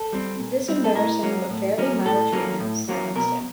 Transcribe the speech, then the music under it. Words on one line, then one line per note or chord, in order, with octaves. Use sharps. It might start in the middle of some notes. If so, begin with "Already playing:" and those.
This embarrassing but fairly mild treatment silenced him.
Already playing: A4
G3 C4
A#2
G3 C4
A4
A2 A#4
F#3 A#3 C#4
A2
F#3 A#3 C#4
A2 A4
F#3 A#3 C#4
A2
F#3 A#3 C#4
B2 A#4